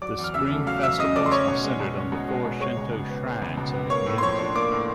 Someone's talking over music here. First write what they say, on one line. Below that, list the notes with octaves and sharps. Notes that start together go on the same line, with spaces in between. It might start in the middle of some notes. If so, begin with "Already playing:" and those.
The spring festivals are centered on the Four Shinto Shrines in the community.
F#3 D5 D6
E2
F6
C#3 E5 E6
A3
F#3 F5 F6
E2 E5 E6
C#3 D#5 D#6
A3 D5 D6
C6
C#4 C#5 C#6
B2
G#3
B2
C#4
B2
G#3
B2
G#3 C#5 C#6
C#2
B2
B3
G#3
C#2
B2
B3
A#3 C#5 C#6
A2
C6
F3 C#5 C#6
D4
A#3 D5 D6
A2